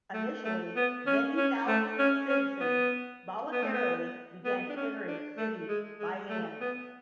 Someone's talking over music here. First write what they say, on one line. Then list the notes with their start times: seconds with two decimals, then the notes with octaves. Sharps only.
Initially many thousands of citizens voluntarily began clearing city by hand.
0.13 A3
0.44 A3
0.76 B3
1.07 C#4
1.37 C#4
1.67 A3
1.98 C#4
2.29 C#4
2.60 B3
3.52 B3
3.63 A3
3.73 B3
4.44 B3
4.69 D4
4.76 C#4
5.07 D4
5.37 A3
5.68 G#3
5.99 G#3
6.29 A3
6.60 B3